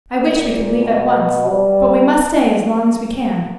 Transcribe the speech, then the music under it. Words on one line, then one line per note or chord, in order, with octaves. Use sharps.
"I wish we could leave at once, but we must stay as long as we can."
A#2
B2
G3